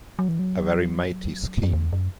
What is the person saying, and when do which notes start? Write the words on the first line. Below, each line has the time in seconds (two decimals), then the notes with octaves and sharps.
A very matey scheme.
0.19 F#3
0.28 E3
0.39 F#3
1.63 F#2
1.73 E2
1.93 F#2